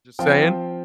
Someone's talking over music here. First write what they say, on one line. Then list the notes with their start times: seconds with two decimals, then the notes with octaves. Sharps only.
Just saying.
0.19 F3 C4 F4 G5